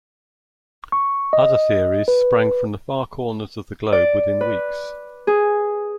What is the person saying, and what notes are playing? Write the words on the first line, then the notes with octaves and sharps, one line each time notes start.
Other theories sprang from the far corners of the globe within weeks.
C#6
D#5
B4
D5
B4
G#4